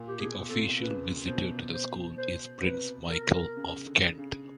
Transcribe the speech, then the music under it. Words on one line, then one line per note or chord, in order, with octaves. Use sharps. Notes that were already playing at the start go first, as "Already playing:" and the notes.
The official Visitor to the school is Prince Michael of Kent.
Already playing: A#2
G4
B2 G#4
C3 A4
C#3 B4
B2 C5
B2 C5
C5
C5
C3 B4
A#4
C#3
D3
C#3